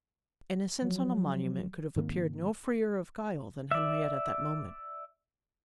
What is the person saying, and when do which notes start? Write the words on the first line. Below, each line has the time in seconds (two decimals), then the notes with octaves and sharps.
Innocence on a monument could have appeared no freer of guile than Henriette at that moment.
0.82 F3 F#3
1.96 G#2 D#3 A#3 C4
3.71 D5 E5